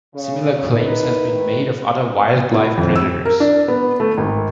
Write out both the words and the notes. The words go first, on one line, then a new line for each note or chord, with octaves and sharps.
Similar claims have been made of other wildlife predators.
C#3
D#4 E4 A#4 B4
D#3
E4
F2
E6
A#4
D4
B3
A3
G#1